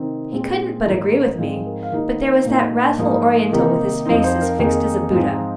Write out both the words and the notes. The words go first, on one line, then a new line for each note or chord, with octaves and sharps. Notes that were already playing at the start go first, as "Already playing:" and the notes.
He couldn't but agree with me, but there was that wrathful Oriental with his face as fixed as a Buddha.
Already playing: C3 D#3 C4 D#4
A#2 G#3 C4 C5
G#2 D#3 A#3 D#4
G#2 F3 C4 G#4
A#4
F5
D#3 A#3 D#4 D#5
A#2 A#3 D#4
G#2 F3 A#3 D#4 D#5
C3 D#3 A#3 D#4
F2 F3 C4 D#4 D#5
C5
A#4
F2 D#3 A#3 D#4 G#4
G#2 F3 C4 D#4